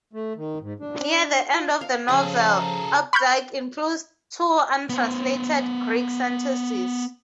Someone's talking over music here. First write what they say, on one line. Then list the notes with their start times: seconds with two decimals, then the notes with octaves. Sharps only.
Near the end of the novel, Updike includes two untranslated Greek sentences.
0.13 A3
0.36 D#3
0.60 G#2
0.80 D4
1.53 F4
1.81 F5
2.09 C#3 F3 G#4 A4
2.53 A#5
3.13 B5 C#6 F6 G6
4.89 B3 C5